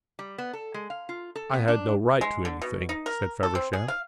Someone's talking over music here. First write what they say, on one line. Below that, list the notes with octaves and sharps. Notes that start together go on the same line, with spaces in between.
"I had no right to anything," said Feversham.
G3
B3
A4
G#3
F5
F4
A4
B3
D4
G#3
D3
B2
D#4
A#4
A4
C4
G#4
F5